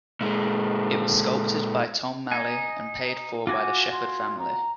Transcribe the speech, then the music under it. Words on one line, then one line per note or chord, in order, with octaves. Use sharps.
It was sculpted by Tom Maley, and paid for by the Shepherd family.
A#2 G#3
D#4 D#5 G#5
F4 F#4 G#5 D6
C6
A#5